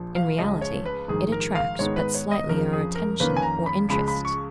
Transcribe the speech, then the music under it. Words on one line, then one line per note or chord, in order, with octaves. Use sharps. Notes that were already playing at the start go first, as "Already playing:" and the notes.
In reality it attracts but slightly our attention or interest.
Already playing: A#1 A#2 F3
F5
C#2 C#3 F3 G#3 D#5
C#5
B4
A#1 G#2 D#3 G#4
A#4
F5
G#2 D#3 G#3 B3 D#4 C#5
B4
C#5
D#5
F#1 F2 C#3 F3 A#4
G#4
A#4
F2 D#3 A#3 C#4 B4
G#5
A#5
B5
C#2 C#3 F3 G#3 B5
B5
C#6